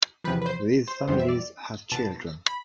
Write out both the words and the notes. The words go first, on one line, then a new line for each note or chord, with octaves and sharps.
These families have children.
E2 C3 F3 B4
B4
C5
C5
F2 E3 G3 B3 C5
E5
D5
B2 B3 A5
B5